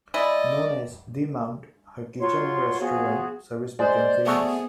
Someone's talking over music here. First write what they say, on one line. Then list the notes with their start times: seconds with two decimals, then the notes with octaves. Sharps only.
Known as "The Mount", her kitchen and restaurant service became famous.
0.14 G#3 E4 D5 D#5
2.21 F#3 F4 C#5 C6
2.80 F3 B3 F#4 G#4
3.79 G#3 C5 D5
4.27 A3 B3 F#4 G#4